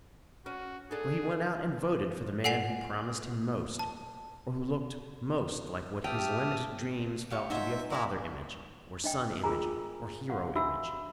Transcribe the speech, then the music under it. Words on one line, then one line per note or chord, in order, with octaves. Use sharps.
So he went out and voted for the man who promised him most, or who looked most like what his limited dreams felt to be a father image or son image or hero image.
C#4 F#4
D4 G#4 A4
A4 F#5 G#5 C7 F7
A5
G4 E5 G5 A5 D#6 F6
G4 F5 C#6
D#4 F#4 C5 E5 G#5
F#3 E4 A#4 D5 F5 G#5
D4 D#5 G5
F4 G#4 A#4 G#5 A#5
F5 F#5
D4 F#4 E5 B5 E6